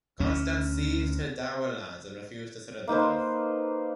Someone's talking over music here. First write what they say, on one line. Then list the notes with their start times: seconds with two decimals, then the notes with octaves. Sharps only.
Constance seized her dower lands and refused to surrender them.
0.20 D2 C#4
2.88 A#3 D#4 B4 C5